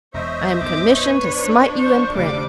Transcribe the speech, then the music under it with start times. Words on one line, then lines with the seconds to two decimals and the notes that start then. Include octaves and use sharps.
I am commissioned to smite you in print.
0.14 E1 C5 C#5 D#5 E5
0.61 B1 F#2 D6
0.92 B4 C#5
1.30 F3 D4
1.77 C5 C#6
2.15 D#1 C#3 G3 A3 D6